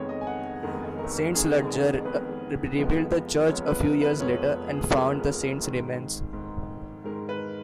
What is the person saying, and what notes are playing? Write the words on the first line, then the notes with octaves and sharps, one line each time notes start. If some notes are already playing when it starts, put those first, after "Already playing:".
Saint Ludger rebuilt the church a few years later, and found the saint's remains.
Already playing: F1 F2 D#3 G#3 B3 C#5
D#5
G#5
F#5
F1 F2 D#3 G#3 B3 A#4
A#4
F1 F2 D#3 G#3 B3 G#4
A#4
A#4
F1 F2 D#3 G#3 B3 B4
F1 F2 F3 G#3 B3
F1 F2 F3 G#3 B3 C#5
B4
A#4
B4
F1 F2 F3 G#3 B3 C#5
B4
G#4
F1 F2 F3 G#3 B3 A#4
G#2 D#3 G#3
G#2 D#3 G#3
G#2 D#3 G#3 A#4
B4